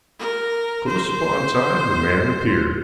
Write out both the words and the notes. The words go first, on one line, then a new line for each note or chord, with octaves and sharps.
Close upon time the man appeared.
A#4
C5